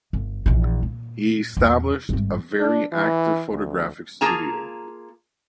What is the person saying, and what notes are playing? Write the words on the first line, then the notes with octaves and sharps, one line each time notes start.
He established a very active photographic studio.
G1
A#1 E3
A#2
E2 A#2
G#1 G2
D4
E3
D2
A#3 F4 G#4 A5 A#5